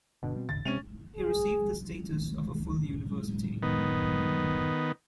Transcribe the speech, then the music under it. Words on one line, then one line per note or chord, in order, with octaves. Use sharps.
He received the status of a full university.
G1 B2 D3 D4
G3 C4
E1 A1 D3 A6
C3 G#3 C4 C#4 D#7 F7
G#4
D#3 B3